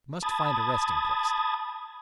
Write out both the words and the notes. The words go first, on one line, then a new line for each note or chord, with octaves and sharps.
I must find a resting place.
A5 B5 D#6 G#6 A6